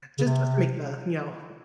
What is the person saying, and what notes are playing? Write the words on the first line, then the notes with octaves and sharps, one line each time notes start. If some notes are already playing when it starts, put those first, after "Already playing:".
just just to make the, you know,
C#3
C3